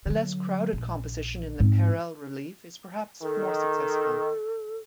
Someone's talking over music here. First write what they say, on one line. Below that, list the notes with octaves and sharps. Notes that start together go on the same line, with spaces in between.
The less crowded composition in the Parel relief is perhaps more successful.
D3 F#3
A#1
G#2 C4
D#3 A4